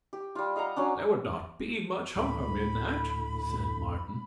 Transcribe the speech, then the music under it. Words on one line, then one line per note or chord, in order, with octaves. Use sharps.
"There would not be much harm in that," said Martin.
G4
G3 F4
D#5 F5 F#5 A#5
F#3 C#4 D4
D2 A2 B5